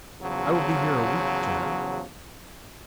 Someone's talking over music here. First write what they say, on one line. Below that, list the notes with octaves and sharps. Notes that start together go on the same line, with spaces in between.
"I will be here a week, Jetta."
E2 C#3 F3 F#3